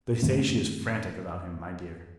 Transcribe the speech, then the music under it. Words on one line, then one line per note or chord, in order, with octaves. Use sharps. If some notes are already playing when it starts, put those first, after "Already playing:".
"They say she is frantic about him, my dear."
G2 D#3 A3 C4